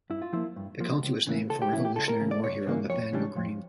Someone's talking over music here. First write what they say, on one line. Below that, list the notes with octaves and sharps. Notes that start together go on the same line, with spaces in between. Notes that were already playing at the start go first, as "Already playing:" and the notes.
The county was named for Revolutionary War hero Nathanael Greene.
G2 E4
F4
F3 A#3 E4
G2
F3 A#3
C#2
C#3 E3 A#3
C#2 A4
G4
C#3 E3 A#3 E4
G4
C#2 A4
A#4
C#3 E3 A#3
D5
C#2 C#5
C#3 E3 A#3
F2 C#5
C#3 E3 G3 D4
F2